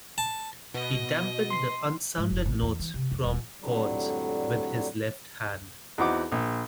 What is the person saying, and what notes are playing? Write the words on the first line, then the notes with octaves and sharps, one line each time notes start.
He dampened the unsounded notes from chords with his left hand.
A5
B2 D#5
C6 C7
G#2
F#1
A1
E2
E3
C3
F2
D#1
F2 A2 D3 F#3 G3
E2 C4 D#4 F#4 F#5 D6
A#1